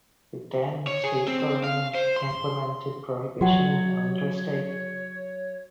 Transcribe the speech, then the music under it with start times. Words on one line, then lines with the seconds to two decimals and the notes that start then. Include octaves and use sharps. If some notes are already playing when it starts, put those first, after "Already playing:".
The then state government implemented prohibition in Andhra State.
0.87 C#5
1.04 G#4
1.28 C4
1.64 F5
1.95 C5
2.16 C6
3.41 F#3 F#4 C#5 F#5